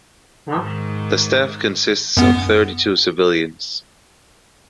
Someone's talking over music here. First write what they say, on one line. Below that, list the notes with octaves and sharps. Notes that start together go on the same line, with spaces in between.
The staff consists of thirty-two civilians.
G#2 D#3
F#2 B3